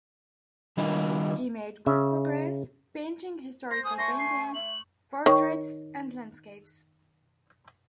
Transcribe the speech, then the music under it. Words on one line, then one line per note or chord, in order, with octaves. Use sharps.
He made good progress, painting historical paintings, portraits and landscapes.
D#3 G3 D4 E4 F4 D#5
C#3 E5
C5 A#6
G#5 D#6
A3 C6 C#6 A#6
C7
E5 F#7
D#3 C#5 C#6